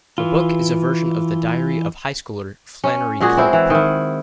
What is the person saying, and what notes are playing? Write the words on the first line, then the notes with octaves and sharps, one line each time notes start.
The book is a version of the diary of high-schooler Flannery Culp.
E3 F4
C#4
A#2 G#3 F#4 G#4
C4 E4 C5
E3
D#3 E4